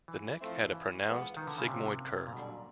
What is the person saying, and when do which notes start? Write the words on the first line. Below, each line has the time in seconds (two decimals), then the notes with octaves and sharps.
The neck had a pronounced sigmoid curve.
0.08 E3
0.41 F3 A3 C4 E4
0.72 E3
1.05 F3 G#3 B3
1.37 D#3
1.47 D3
1.58 C#3
1.68 G#2 C3 F3 A#3 C#4 F4
2.27 A#2
2.33 F#2 B2 D3 G3
2.49 A#2